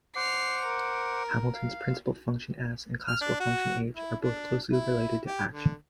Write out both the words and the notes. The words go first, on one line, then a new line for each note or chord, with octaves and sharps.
Hamilton's principal function "S" and classical function "H" are both closely related to action.
C5 F#5 D6 C7 F7
A#4
F5
F6
D4
F#4
E4
D4
E4
G4
D3